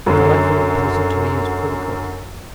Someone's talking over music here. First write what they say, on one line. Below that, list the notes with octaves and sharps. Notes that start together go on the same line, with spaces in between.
But the life of a peasant to me is purgatory.
F#2 D3